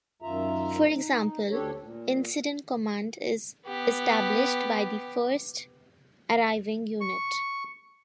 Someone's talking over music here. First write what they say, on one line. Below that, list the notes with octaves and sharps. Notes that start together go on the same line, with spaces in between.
For example, Incident Command is established by the first arriving unit.
F#2 D#3 F4 E5 A#5
D#4
D2 D4 G4 A4 C#5
A#2
B3 G4
C#6